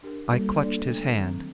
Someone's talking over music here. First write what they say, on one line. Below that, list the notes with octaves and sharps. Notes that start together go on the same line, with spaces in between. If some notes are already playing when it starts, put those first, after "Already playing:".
I clutched his hand.
D4 G4 A#4
G3 A#3 F#4 A4 D#5
A#3 D4 A4 D5
D3 A3 D4 A4 D#5
D#3 F#3 C4